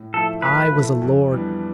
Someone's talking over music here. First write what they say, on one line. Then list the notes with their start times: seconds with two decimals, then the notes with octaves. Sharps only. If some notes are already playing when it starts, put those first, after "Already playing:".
I was a lord.
Already playing: A2
0.14 F3 A3 E4 A4
0.42 A2 B4
0.72 F3 A3 E4
1.02 F2
1.31 E3 G3 B3 D4